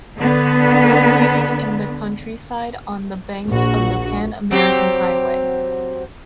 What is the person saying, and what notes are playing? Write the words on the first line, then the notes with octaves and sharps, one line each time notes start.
Located in the countryside on the banks of the Pan American Highway.
D3 B3
A#1 F#4
F#3 C4 G4